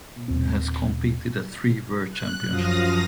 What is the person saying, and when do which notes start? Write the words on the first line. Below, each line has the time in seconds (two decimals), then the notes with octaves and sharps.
Keane has competed at three World Championships.
0.28 D#2 A#2 C4
2.10 F#6
2.49 F#2 F3 F5 D#6 A#6